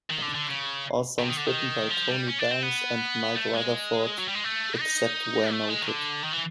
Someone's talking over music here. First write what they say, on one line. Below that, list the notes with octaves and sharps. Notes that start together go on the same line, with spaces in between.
All songs written by Tony Banks and Mike Rutherford, except where noted.
D#3
D3
D3
C#3
C3
D#3
D3
D#3
F3
G3
C#4
D4
C4
B3
A3
G#3
F#3
G3
G#3
A3
D#4
A3
G#3
D#3
D3
D#3
E3